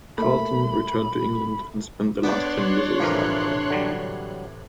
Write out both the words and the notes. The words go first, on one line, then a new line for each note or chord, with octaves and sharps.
Carleton returned to England and spent the last ten years of his life there.
A3 A#3 E5 B5
B3 D4 C#5 D5 G5 C6 F#6
A2 C3 E3 F3 A#4
D3 F#3 G3